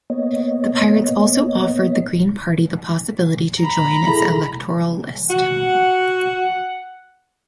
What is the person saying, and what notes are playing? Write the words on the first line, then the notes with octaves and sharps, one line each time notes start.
The Pirates also offered the Green Party the possibility to join its electoral list.
A#3 B3 C#5 D#5
A#5 B5
E4 G#4 A4
F#4 F#5